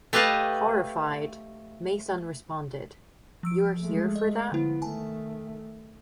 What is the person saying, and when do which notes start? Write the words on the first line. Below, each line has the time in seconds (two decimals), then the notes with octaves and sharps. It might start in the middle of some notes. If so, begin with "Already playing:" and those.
Horrified, Mason responded, You're here for that?
0.13 A3 G4 B4 D#5 F5 A5
3.43 F3 E6 D7
3.80 G#3 A3
4.16 D#5
4.52 D3 F3 B3 E4
4.82 D#3 A3 G#5 A5